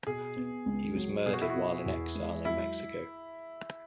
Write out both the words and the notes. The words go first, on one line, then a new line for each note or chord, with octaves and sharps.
He was murdered while in exile in Mexico.
B2 G#4
B3
C#2
F#3
B2 G#4
F#4
E4
F#4
B3
E2
G#3
F#3 E4